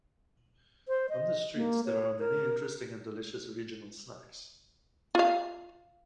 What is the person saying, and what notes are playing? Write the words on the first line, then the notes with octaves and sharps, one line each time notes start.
On the streets, there are many interesting and delicious regional snacks.
C5
D#5
A#3
C#5
A#4
F4 F5